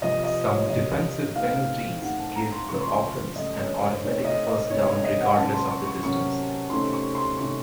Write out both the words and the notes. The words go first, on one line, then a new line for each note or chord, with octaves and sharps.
Some defensive penalties give the offense an automatic first down regardless of the distance.
C3 F3 A#3 D#5
D#5
C#5
C3 F3 A#3 D#5
D#3 A3 C4 F5
D#3 A3 C4 F#5
A5
A#5
C6
C#3 F3 A3 C#6
C6
C#6
C#3 F3 A3 D#5
C#5
C5
C3 D#3 A3 C4 C#5
D#5
D#5
C3 D#3 A3 C4 C#5
C#5
D#5
F#5
C3 F#3 A#3 C#4 A5
C6
C#6
C#6
C3 F#3 A#3 C#4 C#6
C3 D#3 A3 C#4 C6
C#6
C6
C3 D#3 A3 C#4 C#6